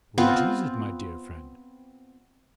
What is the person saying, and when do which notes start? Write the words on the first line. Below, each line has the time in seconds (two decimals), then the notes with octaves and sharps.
"What is it, my dear friend?"
0.18 B3 C4 F4